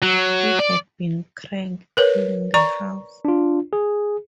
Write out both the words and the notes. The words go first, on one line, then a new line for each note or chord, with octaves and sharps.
He had been crank-calling the house.
F#3
D5
A#4 B4 C#5
D5 A#5 C#6
D4 F4
G#4